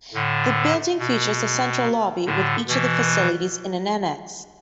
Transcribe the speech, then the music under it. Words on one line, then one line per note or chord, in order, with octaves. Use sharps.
The building features a central lobby with each of the facilities in an annex.
A2 D3
B2
A2 D3
B2 E3